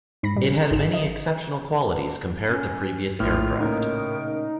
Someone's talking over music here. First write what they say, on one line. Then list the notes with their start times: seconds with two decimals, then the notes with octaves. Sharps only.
It had many exceptional qualities compared to previous aircraft.
0.23 G#2 B5 A#6
0.36 A#2 G3
0.71 G#1 D#4 G#4 E7
0.93 D#5
2.46 C#4
3.20 A#1 A2 F4 F6
3.60 A#2 C#3 D#4 A#4